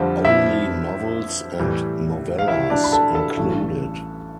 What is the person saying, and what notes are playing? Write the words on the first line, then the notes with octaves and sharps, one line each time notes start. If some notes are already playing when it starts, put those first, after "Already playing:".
Only novels and novellas included.
Already playing: F2 D3 G3 C4 F4
E4 E5
A2 E3 G3
F5
E4 E5
D4 D5
B5
A4 A5
A4 A5
A1 G2 E3 A3